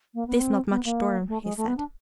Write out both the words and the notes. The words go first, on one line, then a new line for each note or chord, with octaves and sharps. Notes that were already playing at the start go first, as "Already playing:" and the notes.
"This not much storm," he said.
A#3
B3
C4
B3
A#3
A3
G#3
A3
B3
D4